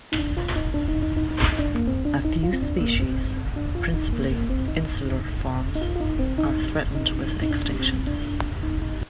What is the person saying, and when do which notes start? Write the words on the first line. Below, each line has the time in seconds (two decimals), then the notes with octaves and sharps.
A few species, principally insular forms, are threatened with extinction.
0.12 D#4
0.18 D4
0.37 F4
0.56 D#4
0.74 D4
0.88 D#4
1.02 D#4
1.17 D#4
1.31 D#4
1.52 D#4
1.59 D4
1.75 A#3
1.87 C4
2.05 D4
2.25 D#4
2.43 F4
2.53 C4
2.62 D4
2.81 A#3
3.00 C4
3.56 D4
3.75 F4
3.94 D#4
4.12 A#3
4.32 A#3
4.50 C4
4.68 D#4
5.75 D#4
5.81 F4
5.96 F4
6.00 D#4
6.19 C4
6.38 D#4
6.95 D#4
7.42 D#4
7.51 D4
7.65 D4
7.79 C4
7.92 C4
8.07 D4
8.63 D#4
8.82 D#4